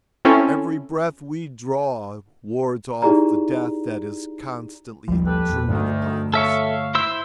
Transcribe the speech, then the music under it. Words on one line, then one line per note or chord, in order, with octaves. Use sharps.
Every breath we draw wards off the death that is constantly intruding upon us.
C4 C#4 E4 A4
D#4 E4 G4 G#4 D5 A#5
A#1 D#2 F3 G3
G4 A4 B4
E2 A#2
D2 G2 D3 D#3 A3
A4 C#5 E5 F5 C#6
E4 C5 E6